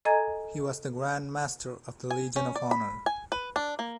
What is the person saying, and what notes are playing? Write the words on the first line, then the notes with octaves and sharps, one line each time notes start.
He was the Grand Master of the Legion of Honor.
A4 D#5 G#5 A#5 G#6
G#5
C#4
D5
B5
G#5
B4
D4
A#3